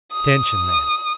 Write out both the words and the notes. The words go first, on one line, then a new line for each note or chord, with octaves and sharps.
"Attention, then!"
D#6